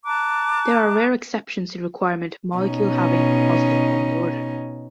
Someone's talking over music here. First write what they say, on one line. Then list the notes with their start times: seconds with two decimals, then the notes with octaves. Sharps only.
There are rare exceptions to the requirement of molecule having a positive bond order.
0.05 A5 A#5 D6 F#6
2.58 B2 C#4 D#4